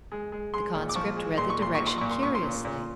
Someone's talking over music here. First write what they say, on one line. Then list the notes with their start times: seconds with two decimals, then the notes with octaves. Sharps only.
The conscript read the direction curiously.
0.12 G#3
0.32 G#3
0.54 G#3 C6
0.75 A#2
0.89 D6
0.96 F3 C#6
1.17 G#3
1.38 A#2 C6
1.50 C#6
1.59 A#2 C6
1.75 C#6
1.80 A#2
1.87 C6
1.98 A#2 C#6
2.11 C6
2.22 A#2 C#6
2.35 C6
2.43 A#2
2.65 A#2